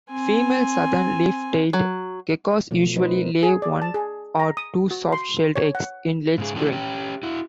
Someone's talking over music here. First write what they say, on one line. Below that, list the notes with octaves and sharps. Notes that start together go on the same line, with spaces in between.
Female southern leaf-tailed geckos usually lay one or two soft-shelled eggs in late spring.
C4 G#5
F#3
B2 F3 A3
F3 F#3 D#4 B4 C5 D#5
A#4
G#4
D5
A5
G#4
A#5
D#6
F#4
C6
C#5
F#5
G#2 C#3 G#4
D#3 F3 A3 C#4 D4 E4
C#4 G4
E4 F#4